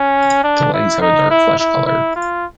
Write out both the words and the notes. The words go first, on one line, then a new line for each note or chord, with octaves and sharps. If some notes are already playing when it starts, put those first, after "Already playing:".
The legs have a dark flesh color.
Already playing: C#4
D4
E4
D#4
E4
E4
E4
F4